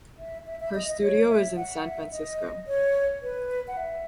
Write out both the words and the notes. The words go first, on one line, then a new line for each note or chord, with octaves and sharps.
Her studio is in San Francisco.
E5
E5
E5
D#5
D#5
C#5
E5
F#5
E5
D#5
C#5
B4
F#5
E5